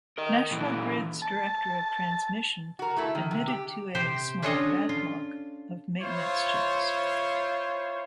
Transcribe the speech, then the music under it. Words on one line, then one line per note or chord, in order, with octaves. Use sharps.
National Grid's Director Of Transmission admitted to a "small backlog" of maintenance checks.
A#4 D#5
A#2 E3
A5
F#4 A#4
A3 E4 A4
D#3
C3
G4
C3 G4 C5
C#4 D4 F4 A4 C#5 D#5
F4
E4 F4 C5 C#5